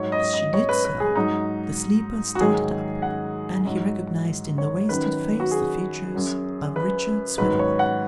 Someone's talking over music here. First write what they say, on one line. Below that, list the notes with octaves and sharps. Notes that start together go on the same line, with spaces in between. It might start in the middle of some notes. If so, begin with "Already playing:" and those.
As she did so, the sleeper started up, and he recognised in the wasted face the features of Richard Swiveller.
Already playing: G#2 F#3 C#5
D#5
D#5
C#5
B4
B4
G#4
G#2 F#3 D#4
F#4
G#2 D#3 F#3 G#4
F#5
G#2 F#3
C#5
F#2 D#3 F#3 B4
F#4
G#4
F#2 F#3
B4
G#2 D#3 F#3 B4
C#5
F#5